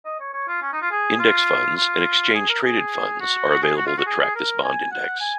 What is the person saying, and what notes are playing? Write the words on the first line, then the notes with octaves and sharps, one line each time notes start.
Index funds and exchange-traded funds are available that track this bond index.
D#5
C#5
C#5
F4
C#4
D#4
F4
G#4
F4
F4
G#4
A#4
G#4
F#4
F#4
G#4
F#4
F4
F#4
G#4
G#4
A#4
G#5
F#5
G#5